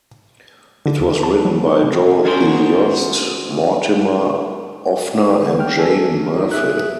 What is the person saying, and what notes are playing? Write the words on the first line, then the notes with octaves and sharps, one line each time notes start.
It was written by Dorothy Yost, Mortimer Offner and Jane Murfin.
D3
D#2
A5
F#3
C3
C#4 D4 F#4 G#4 A#4 C5
D#4 G#4
D3
G5 F6
A4 G#5
D#4 F4 G4 C#5
G#4 E5 F#6